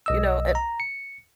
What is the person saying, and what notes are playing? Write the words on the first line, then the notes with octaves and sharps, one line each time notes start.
You know, it
B1 D#5 E6
A#5
C#7